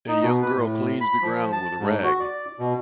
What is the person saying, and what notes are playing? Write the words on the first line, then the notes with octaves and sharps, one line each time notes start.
A young girl cleans the ground with a rag.
D#4
B2
B4
A2
B5
F3
A5
G#2
F#4
D5
B2